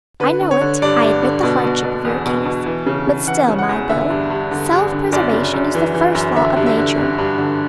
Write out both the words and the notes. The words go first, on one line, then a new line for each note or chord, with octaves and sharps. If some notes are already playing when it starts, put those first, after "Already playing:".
I know it; I admit the hardship of your case; but still, my Bill, self-preservation is the first law of nature.
D3 B4
D3
C#5
D3
G2 D5
G2
D3
B2
B2
B2
E2
B2
B2
E3
C#3
C#3
E3 F#5
C#3
F#5
E2
D3 E5
G2
G2
D3
G2
D3
F#2 D5
C#3
F#2
E3
E3
F#2
D3 E5
G2
E5
D3
G2
G2
D3